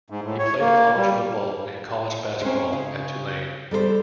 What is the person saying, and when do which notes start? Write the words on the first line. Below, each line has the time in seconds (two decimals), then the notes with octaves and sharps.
He played college football and college basketball at Tulane.
0.10 G#2
0.24 A2
0.39 C#5
0.60 A#3
0.97 G3
2.42 C4 C#4 A#4 C5
2.73 C#3
3.71 G3 A4 A#4 C5